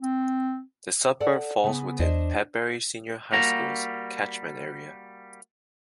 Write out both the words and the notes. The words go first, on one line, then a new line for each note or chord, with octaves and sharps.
The suburb falls within Padbury Senior High School's catchment area.
C4
A4 D5 F#5
C#3 B3
E2 D4 C5 D#5
G3 A#3 F#4 A#5